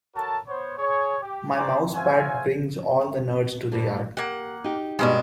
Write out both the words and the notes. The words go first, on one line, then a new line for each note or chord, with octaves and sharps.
My mousepad brings all the nerds to the yard.
F#4 A4 A#4 C#5 A5
B3 C5 C#5
G#4 C#5
G4
B3 C5 D5 G5 A#5 D6
F#4 C5 E5 F5 G#5
D2 G2 D3
A#3 G4 F#5
D#4 G4
G2 B2 G#3 C#4 D4